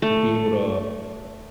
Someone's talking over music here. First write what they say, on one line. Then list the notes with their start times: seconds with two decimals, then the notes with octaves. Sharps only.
to be able to
0.02 A3